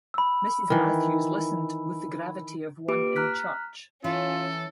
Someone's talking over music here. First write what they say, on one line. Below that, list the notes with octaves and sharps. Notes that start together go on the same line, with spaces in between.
Mrs. Matthews listened with the gravity of one in church.
B5 E6
D#3 E3
A#3 F4 G4 B4 D6 D7
A#5 F6 F#6 B6
E3 C#4 F4 A4